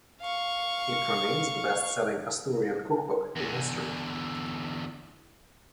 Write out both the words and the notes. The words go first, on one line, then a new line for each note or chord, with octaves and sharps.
It remains the best selling Asturian cookbook in history.
F5 C#6
E2 D3